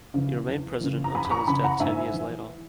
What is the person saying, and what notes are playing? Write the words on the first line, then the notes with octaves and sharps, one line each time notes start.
He remained president until his death ten years later.
C#3 E3
E2
C#3 E3
A#5
E2 G#5 B5
B5
A#5 C#6
C#3 E3 G#5 B5
F#5 A#5
G#2 E5 G#5
E3